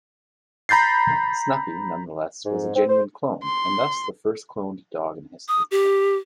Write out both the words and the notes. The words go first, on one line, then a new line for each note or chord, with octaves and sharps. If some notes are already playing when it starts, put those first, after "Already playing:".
Snuppy, nonetheless, was a genuine clone, and thus the first cloned dog in history.
A#5 B5 G6 A6 C7
G#2
C4
C5
C6
D#6
G4